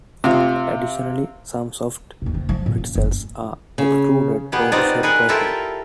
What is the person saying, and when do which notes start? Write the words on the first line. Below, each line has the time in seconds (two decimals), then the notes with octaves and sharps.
Additionally, some soft pretzels are extruded or shaped by hand.
0.24 C3 F4
2.22 D#2 B2
2.34 D#3 F3
2.49 F3
2.66 A#2
2.78 C#4
2.95 F#1 C#4
3.78 C#3
4.52 B2 B3 G4 G#4
4.72 B3 C4 D#4 F4 D5 D#5
5.03 G#4 A#4 B4 F#5 G#5
5.29 E4 F4 G4 A4 A#4 E5